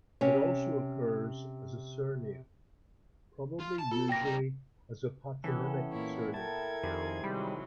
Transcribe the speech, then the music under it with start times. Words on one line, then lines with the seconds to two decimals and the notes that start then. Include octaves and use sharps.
It also occurs as a surname, probably usually as a patronymic surname.
0.21 C3 C#4
3.59 F4
3.79 A5
3.92 F4 A4
4.09 B2 A#3 G5 A#6
4.25 G3 D#4
5.44 E3 B3 C#4 A4 G5
5.92 A#2 E4 C#5
6.34 E4 A4 A#4 G5 A5 G#6
6.83 F2 D#3 G3 G#4 C5
7.24 G#2 C3 F#3 G3 B5